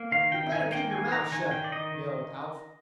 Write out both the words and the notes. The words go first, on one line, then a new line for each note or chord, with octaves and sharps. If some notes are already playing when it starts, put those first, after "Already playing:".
"You better keep your mouth shut," yelled Alf.
Already playing: A#3
D#3 F5
D#3 G5
D#3 G#5
A#3 G5
D#3 G#5
D#3 A#5
D#3 G#5
D#3 G5
D5
D#3 D#5
D#3